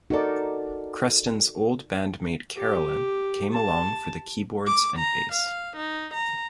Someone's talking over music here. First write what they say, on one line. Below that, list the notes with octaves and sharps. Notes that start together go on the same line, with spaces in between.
Creston's old band mate Carolyn came along for the keyboards and bass.
D#4 F#4 A4 A#4 D5
G4
A5
D6
A#5
F5
D#4
A#5